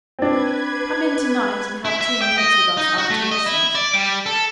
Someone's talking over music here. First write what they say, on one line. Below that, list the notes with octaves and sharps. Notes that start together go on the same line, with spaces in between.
Come in to-night and have tea and cakes with us after lessons.
C4 D4 B4 G#6
E4
E5
G5
D#5
D#4
F#4
A3
D#5
E4
D5
G3
A4